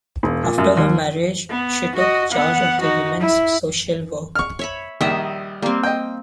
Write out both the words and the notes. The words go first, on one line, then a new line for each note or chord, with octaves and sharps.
After her marriage she took charge of the women's social work.
E1
A#2
F#2
D#2
B3
F#4 D#5
B3 F#5
D#4 F#4
E4
C#6 F6
C#5 E5 B5
A#1 D#3 G3 D#5 E5
G3 A#3 C4
D#5 G5